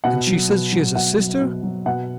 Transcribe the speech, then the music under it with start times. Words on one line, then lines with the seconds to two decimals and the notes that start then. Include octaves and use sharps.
And she says she is a sister....
0.04 B2 F#5
0.27 F#3
0.49 B2
0.72 F#3
0.95 B2 F#5
1.18 F#3
1.42 B2
1.63 F#3
1.86 B2 F#5